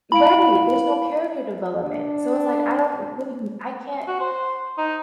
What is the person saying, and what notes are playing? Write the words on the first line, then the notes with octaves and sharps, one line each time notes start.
right, there's no character development. So it's like I don't really I can't,
E4 F5 B5 D7
D4
F#4
C5
D#4